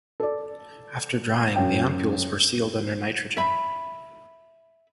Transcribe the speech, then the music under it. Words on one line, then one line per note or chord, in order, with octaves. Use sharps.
After drying the ampoules were sealed under nitrogen.
A4 D5
F#2 F5 G5
E5 B5